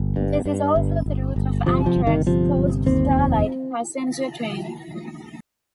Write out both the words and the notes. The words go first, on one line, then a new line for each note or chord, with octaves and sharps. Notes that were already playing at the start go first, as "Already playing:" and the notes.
This is also the route of Amtrak's "Coast Starlight" passenger train.
Already playing: G1
G2
G2
G1
G1
G1
C3 F3
F3
G1
D#3
C3 F3
G1
D#2 C4
F1